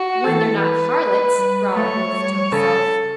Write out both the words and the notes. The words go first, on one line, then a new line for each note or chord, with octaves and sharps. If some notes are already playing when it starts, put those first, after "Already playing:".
'When they are not harlots,' growled Wulf to himself.
Already playing: F#4
E3 A4
B4
G3
A3 C#5
G3
C#3 A4